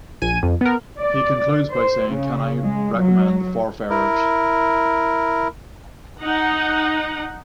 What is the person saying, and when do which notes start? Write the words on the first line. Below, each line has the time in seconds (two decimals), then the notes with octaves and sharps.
He concludes by saying Can I recommend The Farfarers?
0.22 A#1 G#5 D#7
0.43 F2
0.61 B3 A#4
1.00 D5
1.74 C5
2.10 C#3
2.64 G#3
2.98 F#3
3.90 E4 A#4
6.22 D#4 F#5